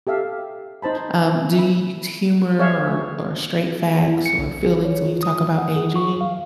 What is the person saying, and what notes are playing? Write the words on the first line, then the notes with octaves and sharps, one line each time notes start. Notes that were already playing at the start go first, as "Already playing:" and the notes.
Um, do you use humor or or straight facts or feelings when you talk about aging?
G4 A4 E5 F5
D#4 C5 A5 B5
E5 B5
G#4 C#5 D5 E5 F5 E6
E4
C#7
B1
G#4
C#5
F4
D#6
F#5
G#4
C#6
F5